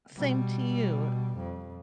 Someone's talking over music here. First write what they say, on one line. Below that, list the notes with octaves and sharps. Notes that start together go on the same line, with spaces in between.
Same to you.
B2 G3
F2